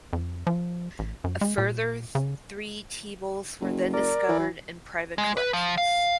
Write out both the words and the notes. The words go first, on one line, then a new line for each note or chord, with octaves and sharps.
A further three tea bowls were then discovered in private collections.
F2
F3
A1
F#2
G#3
A#2
C#3
F#1
A#4 D5
E3
G#3
B4
F3
F5